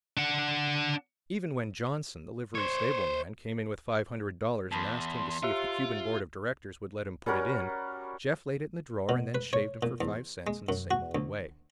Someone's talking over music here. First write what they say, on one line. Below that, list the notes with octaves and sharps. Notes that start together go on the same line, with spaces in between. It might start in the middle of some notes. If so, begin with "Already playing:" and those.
Even when Johnson, the livery stable man, came in with five hundred dollars and asked him to see if the Cuban Board of Directors would let him put it in, Jeff laid it in the drawer and then shaved him for five cents, in the same old way.
D4 F#5
C5 C#5
E2 A5 B5 C6
F4 G4 E5
G3 C#4 F#4 A#4
B2
B4
C#5
A#2
E2
G#3
F#2
F#4
D2